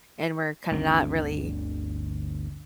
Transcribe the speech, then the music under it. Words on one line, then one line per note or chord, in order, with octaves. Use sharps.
and we're kinda not really
G1 D2 C4 D4